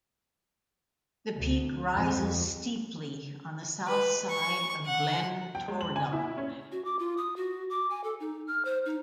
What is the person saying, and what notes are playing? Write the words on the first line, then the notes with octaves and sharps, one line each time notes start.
The peak rises steeply on the south side of Glen Torridon.
D2
F2
B4
C#6
F#5
G5
G#3
F#7
G#5
E4
C#4
F#4
D6
F4
D#6
F#4
D6
G#5
A4
D#4
F6
C5
D#4